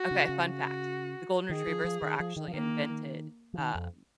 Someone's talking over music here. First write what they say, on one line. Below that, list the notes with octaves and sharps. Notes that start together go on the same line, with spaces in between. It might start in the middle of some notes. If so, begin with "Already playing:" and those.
Okay, fun fact. The golden retrievers were actually invented, um,
Already playing: F#4
C#3
C#3
F#4
D#3 G#4
F3
F3
D#3
F3
D#3
F3
D#3 A#3
F3
D#3
F2